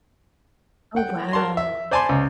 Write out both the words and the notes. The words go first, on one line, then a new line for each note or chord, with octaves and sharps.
Oh, wow.
F#5 G5
A#4 A5 A#5 C6
E5
C5 D5 G#5 A5 B5 C6
C#2